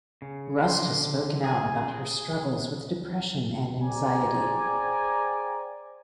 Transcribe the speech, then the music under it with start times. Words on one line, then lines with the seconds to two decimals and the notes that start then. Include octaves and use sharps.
Rust has spoken out about her struggles with depression and anxiety.
0.22 C#3
0.62 D3 C6
1.44 G#4 G#5
3.81 G#4 C5 D5 G5 G#5 A#5